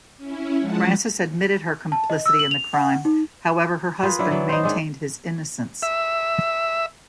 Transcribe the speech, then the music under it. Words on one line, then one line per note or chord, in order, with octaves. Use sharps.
Frances admitted her complicity in the crime; however, her husband maintained his innocence.
C#4 E4
F3 G#3 F#5 A5
A5
D#5
E6
F#7
F7
F#5
D#4
F4 G#4 A#4 B4
F#3 D4 E4
E3 F#3 B3 D5
D#4 C5
D#3 G#3 D4
E5